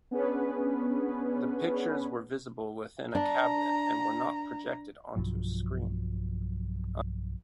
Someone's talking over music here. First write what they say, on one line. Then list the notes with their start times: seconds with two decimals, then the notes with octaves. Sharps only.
The pictures were visible within a cabinet, and were not projected onto a screen.
0.11 B3 C#4 D4 G#4 B4
3.15 D4 A#5
5.16 B1 G2 F3 F#3